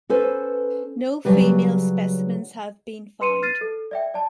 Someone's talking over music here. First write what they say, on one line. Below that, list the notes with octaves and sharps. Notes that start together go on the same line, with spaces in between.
No female specimens have been found.
C#4 A4 B4 C5
C#3 F#3 G3 B4
B4 C6 C#7 D#7 E7
F6 A6 C7 D#7
A4
D5 E5 G5
D5 A5